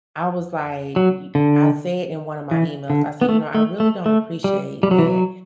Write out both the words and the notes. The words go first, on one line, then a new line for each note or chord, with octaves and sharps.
I was like, y y I said in one of my emails, I said, "You know, I really don't appreciate that
F#3
D3
E3
D3
B3
A3
A3
A3
A3
G3
G3
F#3
E3
F#3